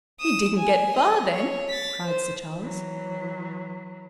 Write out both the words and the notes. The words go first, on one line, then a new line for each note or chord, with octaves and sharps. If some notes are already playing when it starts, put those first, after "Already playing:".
"He didn't get far, then!" cried Sir Charles.
D#6 E7
G#5
D#5
C#5
A6 B6
C5
E3 F#3